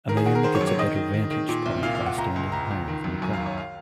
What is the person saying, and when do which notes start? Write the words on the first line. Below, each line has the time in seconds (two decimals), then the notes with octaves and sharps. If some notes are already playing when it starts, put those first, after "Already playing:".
A man gets a better vantage point by standing higher than the crowd.
0.08 D#3 A#4
0.17 G#4
0.26 D#3 F#4
0.35 A#4
0.43 D#3 C5
0.55 C#5
0.61 F#2
0.68 C#5
0.78 D#3 D#5
0.95 D#3
1.13 D#3
1.31 D#3
1.49 A#2
1.66 C2
1.83 A#2 F5
1.95 F5
2.00 A#2
2.06 F#5
2.18 C#2 A#5
2.36 C#2
2.52 C#2 A#5
2.71 C#2
2.88 D#3
3.04 F#2
3.22 F#2 G#5
3.33 F5
3.39 D#3
3.46 C#5
3.57 F5